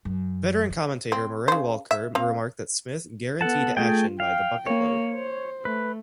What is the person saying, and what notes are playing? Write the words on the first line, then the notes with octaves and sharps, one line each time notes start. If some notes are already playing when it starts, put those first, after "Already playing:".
Veteran commentator Murray Walker remarked that Smith "guaranteed action by the bucket-load".
F#2
D4
C4
C#3 C5
E5
C4 F5
B3 A4 F#5 A5
A3 F4 G#4 G5
F5 G5
A#3 C#5
C5
A3 B4